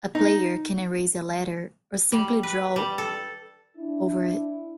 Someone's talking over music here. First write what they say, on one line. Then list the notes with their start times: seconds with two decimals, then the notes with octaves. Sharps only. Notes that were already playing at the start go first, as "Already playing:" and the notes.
A player can erase a letter or simply draw over it.
0.15 D#4
2.12 G3
2.43 B4
2.76 G3
2.98 A4
3.78 D4 E4